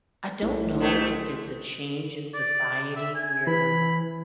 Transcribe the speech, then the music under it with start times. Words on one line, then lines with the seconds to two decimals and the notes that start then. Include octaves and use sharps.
I don't know if it's a change in society where,
0.42 B1 A2
0.80 G#2 A3
2.34 D5
2.96 E5
3.15 G#5
3.47 E3 B5